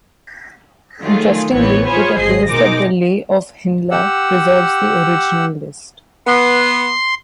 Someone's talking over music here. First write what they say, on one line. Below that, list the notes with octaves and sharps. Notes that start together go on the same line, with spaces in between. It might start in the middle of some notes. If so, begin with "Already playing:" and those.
Interestingly, it appears that Lay of Hyndla preserves the original list.
D#3 F#3 A3 F4 G#4
A1 E3 B3 C4 C#5
F4 G#4 C5 C#5 G#5 B5
G#1 G#4 D#5 C7
B2 G#3 D#4 A#4 D6 A#6
G4 F#5 E6
B3 C6